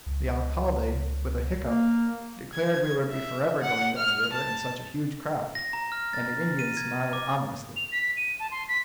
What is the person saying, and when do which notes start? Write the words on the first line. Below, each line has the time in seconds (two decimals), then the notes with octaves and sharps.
The alcalde, with a hiccough, declared we would be forever going down the river in such a huge craft, and the Indians smiled ominously.
0.06 C#2
1.63 A#3
2.54 G#6
3.10 E5
3.60 F#5
3.97 F6
4.33 A5
5.55 A#6
5.73 A#5
5.92 F6
6.13 A6
6.59 D#7
6.77 G#6
7.13 D6
7.76 F7
7.92 B6
8.17 D#7
8.40 A5
8.51 C6
8.69 B6